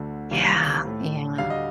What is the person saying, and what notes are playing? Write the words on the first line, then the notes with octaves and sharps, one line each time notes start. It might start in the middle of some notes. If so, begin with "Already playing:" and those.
Yeah, yeah.
Already playing: D2 D3 A3
C2 C3 D#3 G3 A#3 F5
A2 A3
D2 D3 G3 F5
D#5